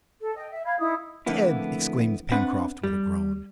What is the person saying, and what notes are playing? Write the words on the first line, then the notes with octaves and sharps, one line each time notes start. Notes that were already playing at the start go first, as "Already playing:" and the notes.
"Dead!" exclaimed Pencroft, with a groan.
A4
D#5 G5
E5
F5 B5 G#6
D#4 E4 D#6
F2 A2 D3 A#3 B3 E4
B3 C4 D4 B4 E5 F#5
G3